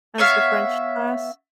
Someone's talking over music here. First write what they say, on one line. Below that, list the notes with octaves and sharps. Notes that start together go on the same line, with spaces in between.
as the French class
B3 C#5 E5 F5